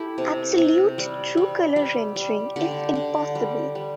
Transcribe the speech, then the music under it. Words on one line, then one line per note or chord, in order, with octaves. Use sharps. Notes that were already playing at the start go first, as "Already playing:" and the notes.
Absolute true-color rendering is impossible.
Already playing: E4 G4 A4
C3
C3
G3
G3
G3
G3
D3 G4
D3
G3
G3